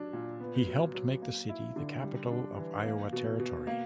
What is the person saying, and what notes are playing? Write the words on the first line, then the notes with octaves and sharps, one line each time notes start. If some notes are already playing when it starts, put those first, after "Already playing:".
He helped make the city the capital of Iowa Territory.
Already playing: F#3 D4
A#2
B3
F#3
F#3
A#3
E4
D3
G3
D4
E3
A#3
B2
B2
A#3